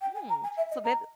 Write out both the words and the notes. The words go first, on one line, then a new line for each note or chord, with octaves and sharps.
Mm, so they th
G5
G#5
A#5
G#5
E5
D#5
A#5